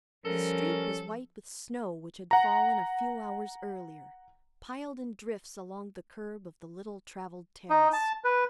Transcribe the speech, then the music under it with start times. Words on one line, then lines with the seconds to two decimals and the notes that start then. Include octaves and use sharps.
The street was white with snow which had fallen a few hours earlier, piled in drifts along the curb of the little-traveled terrace.
0.25 F3 G3 C#4 A4 A#4
2.31 F#5 A#5
7.70 D#4
7.93 A5
8.24 B4